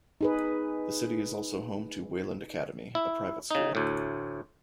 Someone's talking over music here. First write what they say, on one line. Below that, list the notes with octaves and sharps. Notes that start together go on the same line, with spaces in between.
The city is also home to Wayland Academy, a private school.
D#4 G#4 B4
E4
C#3 D#4
D2 A2